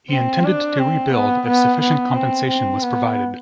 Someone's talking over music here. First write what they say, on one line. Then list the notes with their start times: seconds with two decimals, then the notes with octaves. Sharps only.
He intended to rebuild if sufficient compensation was provided.
0.10 C4
0.44 D4
0.78 C4
1.13 B3
1.47 B3
1.81 B3
2.15 C4
2.48 C4
2.82 B3